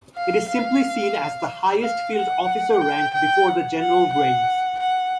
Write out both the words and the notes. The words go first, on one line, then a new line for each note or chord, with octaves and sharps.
It is simply seen as the highest field officer rank before the general grades.
F5
F5
F5
F#5
G5
G5
F#5
F#5
F#5
F#5